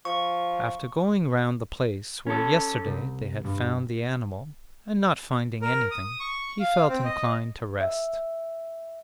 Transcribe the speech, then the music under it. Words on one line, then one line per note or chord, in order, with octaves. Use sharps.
After going round the place where yesterday they had found the animal and not finding anything, he felt inclined to rest.
F3 C#6
C#4 A4
C2
G2
A#4
D#6
C#6
F5
C4
D#5
E5